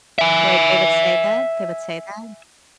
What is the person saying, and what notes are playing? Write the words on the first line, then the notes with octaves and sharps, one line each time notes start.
Wait, they would say that? They would say that?
E5 G#5